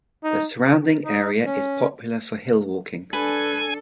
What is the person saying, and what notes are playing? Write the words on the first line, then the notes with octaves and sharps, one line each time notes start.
The surrounding area is popular for hill-walking.
D#4
D#4
C#4
D4 A4 B4 G#5